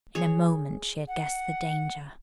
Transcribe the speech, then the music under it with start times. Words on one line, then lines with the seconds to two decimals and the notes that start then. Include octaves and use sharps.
In a moment she had guessed the danger.
0.15 G#4 C#5
1.08 F#5